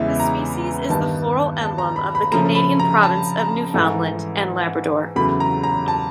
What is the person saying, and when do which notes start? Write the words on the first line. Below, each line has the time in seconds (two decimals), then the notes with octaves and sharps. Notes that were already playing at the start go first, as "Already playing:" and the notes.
The species is the floral emblem of the Canadian province of Newfoundland and Labrador.
Already playing: E2 C#3 E3 G#3 B3 E5
0.20 A#5
0.89 G2 D#3 G3 B3 A5
1.61 A5
1.78 A#5
1.96 B5
2.15 B5
2.31 C#3 F3 A3 A#5
2.55 B5
2.80 A#5
3.03 A5
3.39 A#5
3.74 G#2 E3 A3
5.16 E2 C#3 F#3 A3 B5
5.40 A#5
5.63 A#5
5.88 A5